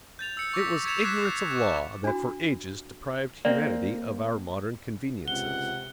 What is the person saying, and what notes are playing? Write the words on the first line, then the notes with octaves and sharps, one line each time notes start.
It was ignorance of law that for ages deprived humanity of our modern conveniences.
G6 A6 F7
E6 C#7
C#6 D6 E6 G6 A#6 B6
C#6 G#6 A6 C#7 E7 F7
D6 F#6 G#6 B6 C7 E7
C#6
D4 F#4
A#3 C4 D5
C#2 C3 F#5 G7